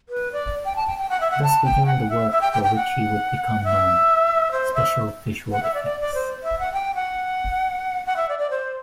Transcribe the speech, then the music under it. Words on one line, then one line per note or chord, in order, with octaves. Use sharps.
Thus began the work for which he would become known-special visual effects.
B4
D5
G5
A5
G5
G5
F#5
E5
F#5
A5
G5
F#5
E5
E5
G5
G5
G5
F#5
E5
C5
E5
F#5
E5
D5
D5
D5
C5
E5
F#5
G5
F#5
F#5
E5
D5
D5
C5